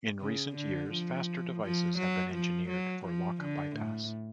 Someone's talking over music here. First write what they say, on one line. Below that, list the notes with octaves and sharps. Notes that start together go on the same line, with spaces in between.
In recent years faster devices have been engineered for lock bypass.
C#3
D3
F3
F3
F#3
F3
F#3
F3
D3
A2